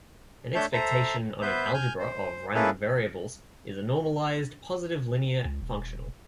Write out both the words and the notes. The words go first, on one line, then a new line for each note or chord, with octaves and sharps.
An expectation on an algebra of random variables is a normalized, positive linear functional.
A3 D4 C#5 E5 A5 G6
A4 C5 E5 A#5
B3 B4 C5 E5 G6
G#5 F6 G6
C5
A#3 C#4 E4 G#4 A4 B4
C#2
D#1